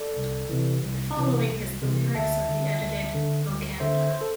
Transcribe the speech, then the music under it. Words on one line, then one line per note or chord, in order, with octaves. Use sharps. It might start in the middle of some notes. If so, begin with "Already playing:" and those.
The following is the lyrics of the edited "O Canada".
Already playing: A4 D5
C2
C3 E3
C2
C3 E3
C2
C3 E3
D2 E5 A5
D3
D2
D3
D2
D3 C5 E5
C5
A4